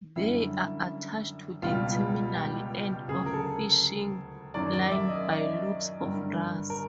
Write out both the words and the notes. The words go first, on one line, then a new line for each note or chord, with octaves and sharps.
They are attached to the terminal end of fishing line by loops of brass.
F#2 D3 G3 E4
C#2 B2 G3 F4
G4
D2 C#3 F#3 G#4
A#4
A4
F#2 D#3 F#3 D5
D5
E5
D#5
D5
G2 D3 G3 A#4
A#4